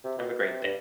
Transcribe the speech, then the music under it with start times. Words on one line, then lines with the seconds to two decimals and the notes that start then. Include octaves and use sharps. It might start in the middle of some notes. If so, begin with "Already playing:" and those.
Have a great da
0.04 C3
0.18 B2
0.40 C3
0.63 G2